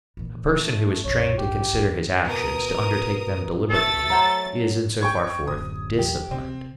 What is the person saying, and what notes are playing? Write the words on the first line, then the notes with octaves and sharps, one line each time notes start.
A person who is trained to consider his actions, to undertake them deliberately, is in so far forth disciplined.
A#2 E3
A3
B1 F#2 C#5
G4
D#3
B2 A#4 D#6
A3 A4 A6
F#3 C5 F#5 A#5
G5 C#6 G#6
D1 F#2 D#6
E2 F#3 G#3 G4
C3 C4